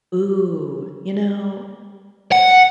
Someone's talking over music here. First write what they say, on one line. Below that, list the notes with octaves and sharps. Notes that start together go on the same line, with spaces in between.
Ooh, you know,
F#5